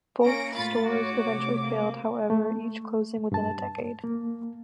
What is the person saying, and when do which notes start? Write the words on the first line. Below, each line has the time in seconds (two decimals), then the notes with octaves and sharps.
Both stores eventually failed, however, each closing within a decade.
0.24 A#3 C#4 A#6 D7
0.55 A2 A3 F4 B5 A6
0.86 F#4 C#5 D6
1.26 C3 A3
1.63 A#3
2.30 A3
3.32 G2 A5
4.04 A#3